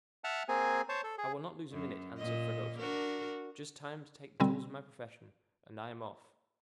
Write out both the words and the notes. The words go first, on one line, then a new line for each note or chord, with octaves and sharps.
"I will not lose a minute," answered Fragoso--"just time to take the tools of my profession, and I am off."
E5 F#5 A5 F6
A#3 C4 G#4 G#5
C5 C#5 A5
A4
G#4
F#2
A#2 D#5
D4 F#4 A#4
B2 D3 G3 C4